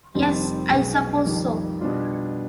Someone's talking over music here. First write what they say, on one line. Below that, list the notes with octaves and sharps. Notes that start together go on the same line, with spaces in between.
Yes, I suppose so.
F1 F2 D#3 G3 C4
B1 B2 G#3
F2 D#3 G3
B2 G3 D4 F4